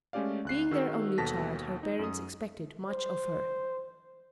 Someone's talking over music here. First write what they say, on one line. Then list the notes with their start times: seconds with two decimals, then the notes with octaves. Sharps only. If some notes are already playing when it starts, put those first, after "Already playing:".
Being their only child, her parents expected much of her.
0.13 G#3 A3 C#4 G4 D5 F5
0.45 D2 F#6 C7
0.71 D#3 F#4 G#4 E6
1.18 D#2 B2 A4 A5 A#6 B6
1.83 D#4
1.99 F#2 D#6
2.90 C5